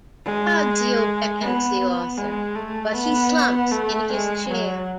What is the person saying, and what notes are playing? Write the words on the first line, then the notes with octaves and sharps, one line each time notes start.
Tadzio beckons the author, but he slumps in his chair.
G#3
B3
B3
G#3
A3
B3
A3
G#3
F#3